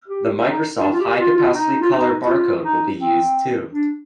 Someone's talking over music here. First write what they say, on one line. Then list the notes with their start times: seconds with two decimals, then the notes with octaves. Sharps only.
The Microsoft High Capacity Color Barcode will be used too.
0.08 G4
0.45 D#4
0.81 D4
0.93 F4
1.00 G4
1.18 F4
1.36 F4
1.54 D#4
1.82 F4
1.91 D#4
2.27 F4
2.64 D#4
3.00 C4
3.73 D4